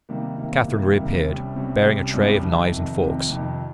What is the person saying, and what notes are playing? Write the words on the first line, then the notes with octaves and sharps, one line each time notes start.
Catherine reappeared, bearing a tray of knives and forks.
C3 D#3 G3 A#3
C3 D#3 G3 A#3
C3 D#3 G3 A#3
C3 D#3 G3 A#3
C2 C3 G3 C#4
C2 C3 G3 C#4
C2 C3 G3 C#4
C2 C3 G3 C#4
F2 C3 D#3
F2 C3 D#3
F2 C3 D#3
F2 C3 D#3